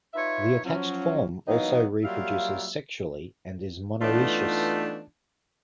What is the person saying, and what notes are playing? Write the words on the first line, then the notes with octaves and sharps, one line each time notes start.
The attached form also reproduces sexually, and is monoecious.
D#4 F4 B4 C#5 E5
F3 F#3 C#4
E3 F#3 A#3 B3 D#4
F#3 G3 A#3 F4 E5 F5
E3 A3 B3 D4 D#4 F4